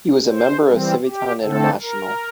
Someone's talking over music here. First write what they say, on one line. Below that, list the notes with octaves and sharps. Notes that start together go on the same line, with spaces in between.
He was a member of Civitan International.
C5
E3 G3 C4
G4
D3 A3 C4 A4
A#4